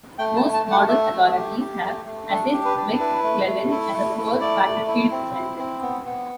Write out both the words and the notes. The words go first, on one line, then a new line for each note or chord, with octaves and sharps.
Most modern authorities have assessed McClellan as a poor battlefield general.
A3 G5
A5
A3
A5
A3
F#5
A3 E5
A3
G4
G4
A3
A3
D4 A4
G4
B4
D4
E4 B4
A3
A3
E4
A3
E4
A3 D5
A3
E4
C4
E4
C4
B3
B3